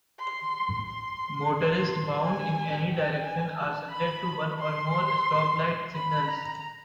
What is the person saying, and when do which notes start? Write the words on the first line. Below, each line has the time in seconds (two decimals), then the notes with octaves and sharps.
Motorists bound in any direction are subject to one or more stoplight signals.
0.20 C6
0.87 C6
1.55 C6
2.22 G#5
2.90 G5
3.24 G#5
3.58 A5
3.91 B5
4.59 C6
5.94 B5
6.27 A#5